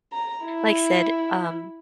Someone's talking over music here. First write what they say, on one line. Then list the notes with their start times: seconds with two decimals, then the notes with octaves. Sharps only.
like said, um,
0.13 A#5
0.45 E4